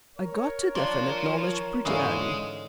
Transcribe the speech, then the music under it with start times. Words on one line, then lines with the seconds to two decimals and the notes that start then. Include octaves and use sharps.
I got to definite knowledge pretty early.
0.17 A#4 C#5
0.75 F3 D4 F4 D5
1.85 G#2 D3 E3 G#3 C#4 D#4 E4 F5